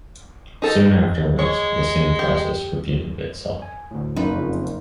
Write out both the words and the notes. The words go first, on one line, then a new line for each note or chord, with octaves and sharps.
Soon afterwards, the same process repeated itself.
D#4 A4
G#3 C#5
G4
G#5
D2 A2
F#1 D#4 B4
F2 C#3 F3